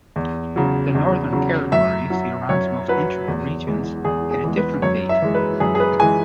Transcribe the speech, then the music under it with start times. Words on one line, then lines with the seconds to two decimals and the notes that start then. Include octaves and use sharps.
The northern territories, Iran's most integral regions, had a different fate.
0.16 E2
0.56 C#3 F#3
0.95 E2
1.32 C#3 F#3
1.72 F#2 E5
2.10 F#3
2.49 F#2 C#5
2.88 F#3 B4
3.28 E2
3.67 E3 G#3
4.05 E2 G#4
4.31 G#4
4.44 E3 G#3
4.57 B4
4.82 F#2 C#5
5.09 E5
5.22 E3 G#3
5.35 B4
5.60 F#2 G#4
5.75 G#4
5.80 B4
6.00 E3 G#3 G#5